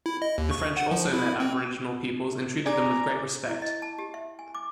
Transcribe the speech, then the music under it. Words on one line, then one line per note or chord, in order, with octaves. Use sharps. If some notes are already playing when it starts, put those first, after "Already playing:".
The French also met Aboriginal peoples and treated them with great respect.
E4
D#5
D#2
C#6
F#5
F3
E4
C4
D5 G#5 A#5 D6
E4
D#5
A5
G4
E5
G#5
D6